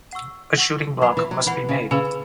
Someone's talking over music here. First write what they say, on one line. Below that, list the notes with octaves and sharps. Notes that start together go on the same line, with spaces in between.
A shooting-block must be made.
F#5 C#6 E6
F#5 C#6 E6
F#3 B4 F#5 B5
E3
F#3
E3 B4 F#5 B5
C#3
C#3 G#4 B4 G#5 B5 E6